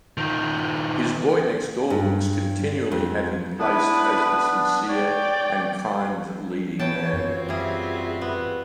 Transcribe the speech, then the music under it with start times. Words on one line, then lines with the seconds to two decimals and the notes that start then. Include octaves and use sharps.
His boy-next-door looks continually had him placed as the sincere and kind leading man.
0.18 D#3 F3
1.90 G2
2.92 F2
3.59 B3 D4 E4 B4
4.88 C#5 D5 G5
6.79 E3 B3 C#5 G5 A5
7.13 F#2 C4 F4 F#4
7.49 G3 G#4 E5
8.21 B3